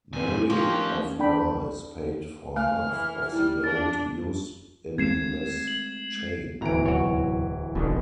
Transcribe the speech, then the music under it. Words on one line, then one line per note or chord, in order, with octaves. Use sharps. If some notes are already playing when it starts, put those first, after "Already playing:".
Mary of Guise paid for half of the gold used in this chain.
A#2 C4 G#5
D#3 F3 A3 A#3 C#4 G4 C6
D4 G5 B5
A3 G#5 F6
E3
G3 E4
D4 A6
G#3 A3 C4 G#6 C7 E7
F#7
D1 D#2 A2 E3 B3 A#5 D7
E2 A2 C3 F#3 E4 F#4 C#5
D#1 G#1 B2 D3 D#3 F3